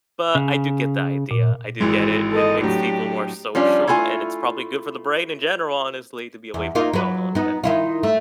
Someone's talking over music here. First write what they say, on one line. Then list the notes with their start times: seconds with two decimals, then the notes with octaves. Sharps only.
but I do get the idea, I do get it, it makes people more social and it's probably good for the brain in general, honestly, to be away from your phone a little bit.
0.35 C#3
1.31 A#2
1.80 G#1 E3 G#3
2.31 A4 D#5
2.61 A2 F#3 D4 G4
3.55 F3 G3 C#4 D4 F4
3.88 A3 E4 F4 G#5
6.54 E2
6.75 A#3 D#4 F4
6.93 F#3 B4
7.35 B3 D#4
7.64 D#3 E4 F4
8.03 A3